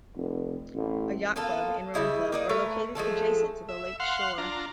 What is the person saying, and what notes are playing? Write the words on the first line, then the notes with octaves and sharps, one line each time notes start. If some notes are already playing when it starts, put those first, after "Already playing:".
A yacht club and rowing club are located adjacent to the lake's shore.
F1
A1
A#3 B3 F4 A4
C#3 G3 E4 D#5
A#3 D#4 D5
A3 A#4 B4 C#5
F3 G#3 A3 A4
E5
F5 F#5 C6
D4 F4 A#5